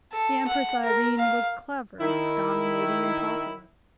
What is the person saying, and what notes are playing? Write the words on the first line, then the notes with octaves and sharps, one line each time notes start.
The Empress Irene was clever, domineering, and popular.
A4
F#5
A#4
F5
D#3 E4